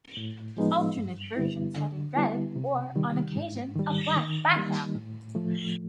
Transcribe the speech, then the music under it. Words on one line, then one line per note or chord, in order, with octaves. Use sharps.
Alternate versions had a red or, on occasion, a black background.
A2
F3 G#3 B3 D#4
G2
D3 G3 B3 E4
D3
G3 B3 E4
C3
D#3 G3
G#2
D#3 G3
D#3
G3 A#3 D#4
A2
F3 A3